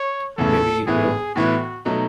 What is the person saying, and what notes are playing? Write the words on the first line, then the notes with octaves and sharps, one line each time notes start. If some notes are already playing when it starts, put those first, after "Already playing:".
Maybe it will.
Already playing: C#5
E2 C#3 E3 A3 A4
A2 E3 B3 E4 G#4
A2 E3 B3 E4 F#4
B2 F#3 A3 D#4